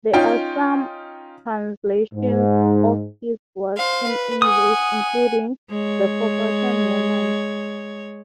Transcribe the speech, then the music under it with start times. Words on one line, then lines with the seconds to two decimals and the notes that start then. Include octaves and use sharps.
There are some translations of his work in English including "The Forgotten Woman".
0.13 C#4 D#4 F4 G5
2.14 G#2
3.77 C5 F5
4.08 B4
4.42 F#5 G#5 D#6
5.71 G#3 C#5